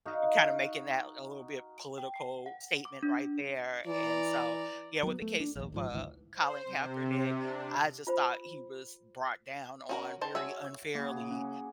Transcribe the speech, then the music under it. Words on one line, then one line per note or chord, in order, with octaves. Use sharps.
you're kinda making that a little bit political statement right there. And so yeah, with the case of, uh, Colin Kaepernick, I just thought he was brought down on very unfairly.
D#4 F#4 F5
G5
C7
F#5
D6
D4
E3 D5 A#5
F#3 B3
A3
D4
A#1 D#2
G#1 G#2 F3
G#1 D2 E3
C5
C3
D4
F4 C5 B5
C#4 F#4 A#4
D#3 C5 A5
F#4 G#4 C#5 E5
C#3 A#3 E4 F#4 G#4
C#4